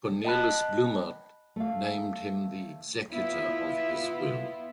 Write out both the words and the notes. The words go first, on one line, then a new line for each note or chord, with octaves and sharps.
Cornelis Bloemaert named him the executor of his will.
D#5 G5 A5 B5 F#6
A3 F5
B3 E4 F4